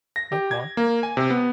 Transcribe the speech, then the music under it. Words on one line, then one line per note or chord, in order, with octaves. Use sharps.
Oh, cool.
A#6
G4
G#6
A#3
G#5
C3
B3